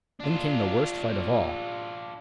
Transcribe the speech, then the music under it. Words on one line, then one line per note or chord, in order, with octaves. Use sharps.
Then came the worst fight of all.
D4 F4